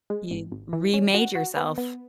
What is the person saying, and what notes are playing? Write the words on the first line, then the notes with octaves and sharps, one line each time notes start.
You remade yourself.
G#3
G#1
G#1
E3
C#4
F#4
F#4
B3
B3